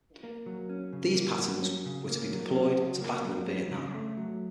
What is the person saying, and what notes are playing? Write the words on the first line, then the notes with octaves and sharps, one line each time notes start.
These Pattons were to be deployed to battle in Vietnam.
A#3
F#3
C#4
C#3
A#3
F#3
C#4
C#3
A#3
F#3
C#4
C#3
A#3
F#3
C#4
C#3
A3
F#3